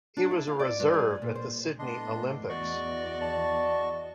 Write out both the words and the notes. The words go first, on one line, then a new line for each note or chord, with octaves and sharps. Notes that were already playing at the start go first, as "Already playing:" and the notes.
He was a reserve at the Sydney Olympics.
D4
E4
F5
D5
G2
G#4
G#2
A#2
C5
A2 B3 D4 D#5 C6
E2 F#4 D5 D#5 C#6
D5 A5